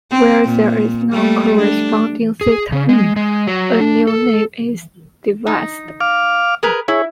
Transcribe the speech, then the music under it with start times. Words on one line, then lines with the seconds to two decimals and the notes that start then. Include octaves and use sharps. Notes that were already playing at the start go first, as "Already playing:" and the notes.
Where there is no corresponding system, a new name is devised.
0.11 C4
0.45 A#2
1.13 G3 A3 A#3
1.56 D4
2.41 G#4
2.72 C#3
2.89 G#3
3.16 G#3
3.47 F#3
3.80 D4
4.07 A4
5.47 D#4
6.00 F5 D6 F6
6.63 G#4 A#4 B4
6.88 E4 G#4 C#5